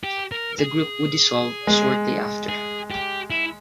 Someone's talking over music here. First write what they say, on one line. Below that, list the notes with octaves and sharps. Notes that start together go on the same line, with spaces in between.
The group would dissolve shortly after.
G4
A#4
G#4
G#3
G#4
G4
E4